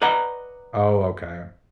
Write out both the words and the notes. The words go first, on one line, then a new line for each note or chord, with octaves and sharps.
Oh, okay.
B4 D5 D#5 F#5 A#5